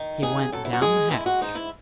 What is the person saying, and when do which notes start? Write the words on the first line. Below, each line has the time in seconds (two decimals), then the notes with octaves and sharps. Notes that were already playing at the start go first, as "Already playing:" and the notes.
He went down the hatch.
Already playing: D#3
0.22 D#2 G#4
0.52 F#2 A4
0.65 E4
0.73 F#4
0.81 G#3 G#4
1.11 G#3 E4
1.26 F#4
1.41 G#2 D#4
1.55 E4